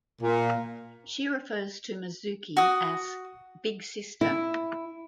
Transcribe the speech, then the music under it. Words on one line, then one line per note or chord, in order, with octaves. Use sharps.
She refers to Mizuki as "Big Sister".
A#2
F#4 D#6
E4